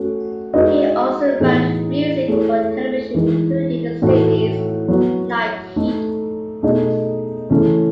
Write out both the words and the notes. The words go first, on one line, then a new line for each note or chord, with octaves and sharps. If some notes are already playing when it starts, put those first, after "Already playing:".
He also wrote music for television including the series "Night Heat".
Already playing: A3 C#4 F#4
G#3 D#4 F#4 B4 D#5
A2 E3 B3 D#4 G#4
A3 E4 G#4 C#5
E3 G#3 D#4
A2 E3 A3 D#4 F#4
F#3 B3 F#4
A3 D#4 A4
B2 A3 D#4 G#4 D#5
C#3 E3 A3 C#4